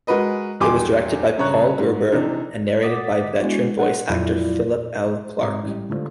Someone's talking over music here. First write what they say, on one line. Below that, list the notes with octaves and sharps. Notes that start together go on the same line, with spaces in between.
It was directed by Paul Gerber and narrated by veteran voice-actor Philip L. Clarke.
G#3 F#4 A#4 B4 D#5
E2 G2 G4 G#5 C6 D6
G2 C#3 C#5 A#5 F#6
G#2
C3 E3 D4 D#4
F#5 D6 D#6 A6 B6
G#3 B3 D4 E4 F#4
F#5
F2 A#2 F#3 E4 F4 D5
G#2 C3 A#5 D6 D#6
A1 G3
D3 A3 F4 C5